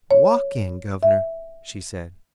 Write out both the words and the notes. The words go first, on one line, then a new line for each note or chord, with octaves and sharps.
"Walk in, governor," she said.
C#5
E5